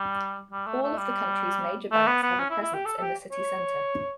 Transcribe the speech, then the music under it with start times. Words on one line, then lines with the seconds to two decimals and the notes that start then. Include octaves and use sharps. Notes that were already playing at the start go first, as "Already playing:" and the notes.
All of the country's major banks have a presence in the city centre.
Already playing: G3
0.51 G3
0.66 A3
0.83 A3
0.98 G3
1.92 A3
2.07 B3
2.23 B3
2.39 C#4
2.50 E4
2.62 E4
2.74 G4
2.85 A4
2.97 A4
3.01 G4
3.32 C#5